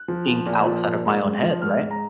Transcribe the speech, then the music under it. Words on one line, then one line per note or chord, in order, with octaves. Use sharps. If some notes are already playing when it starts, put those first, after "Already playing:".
think outside of my own head," right?
Already playing: F#6
F3
F3
A#2
F3
A#2
G#2
G#2
F3
G#2 F6
G#2
A#5